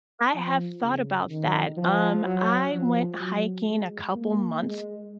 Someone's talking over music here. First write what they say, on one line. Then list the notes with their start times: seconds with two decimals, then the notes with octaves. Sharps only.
I have thought about that. Um, I went hiking a couple months
0.35 F3
0.83 C#3
1.30 D#3
1.77 F3
2.25 F#3
2.72 F3
3.20 F#3
3.68 G#3
4.15 A#3
4.62 G#3